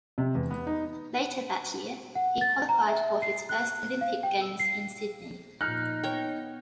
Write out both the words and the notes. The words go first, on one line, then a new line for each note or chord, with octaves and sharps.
Later that year he qualified for his first Olympic Games in Sydney.
C3
E2
B3
D#4
F#5
A6
A#5
E5
C7
F#6
F5
G5
E6
C7
A#2 F3 D#4 F6 F#6
B3 C#5 G5